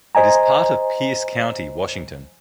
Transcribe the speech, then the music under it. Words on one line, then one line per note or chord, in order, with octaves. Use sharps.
It is part of Pierce County, Washington.
C5 D#5 G#5 A#5